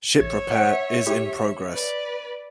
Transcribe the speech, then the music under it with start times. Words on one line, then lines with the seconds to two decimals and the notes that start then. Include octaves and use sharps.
Ship repair is in progress.
0.18 A1 C#5 E5 G#6
0.56 F#5
1.06 E4 G4
1.72 B4 D5